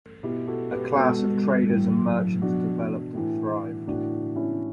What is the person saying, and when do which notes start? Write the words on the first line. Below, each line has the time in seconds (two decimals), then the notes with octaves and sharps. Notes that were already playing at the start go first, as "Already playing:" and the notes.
A class of traders and merchants developed and thrived.
0.23 B2 E4 G4
0.48 F#4 A4
0.71 G4 B4
0.96 B2 F#4 A4
1.69 A2 E3
2.42 B2 D4 F#4
3.14 A2 E3
3.87 A2 E3 D4 F#4
4.36 C#4 E4